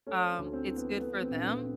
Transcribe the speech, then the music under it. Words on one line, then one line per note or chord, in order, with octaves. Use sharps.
um, it's good for them.
A3 C#4
C#4
D2
C4
E3
B3
A3 B3
B3
C4
A#1
B3